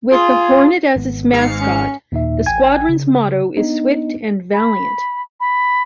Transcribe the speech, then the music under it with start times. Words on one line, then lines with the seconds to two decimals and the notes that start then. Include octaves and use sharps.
With the hornet as its mascot, the squadron's motto is "Swift and Valiant".
0.12 F4 G#4
0.96 G#1 B3
1.33 G#2 F5 C#7
1.61 C#4
2.12 D#2 A#2 D#4 E5
2.46 A1 G5 G#5 G#6
2.89 C#3
3.57 B3 D4 D#4 D#5
4.53 B5
5.40 B5